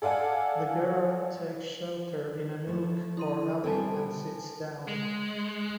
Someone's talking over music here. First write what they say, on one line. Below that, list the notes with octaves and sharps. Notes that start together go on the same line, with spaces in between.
The girl takes shelter in a nook or alley and sits down.
A4 D5 F5 F#5 G#5
F3 A3 C#5
E4 C6 D#7
B2 G3 C4 A4 G#5 A5
G#3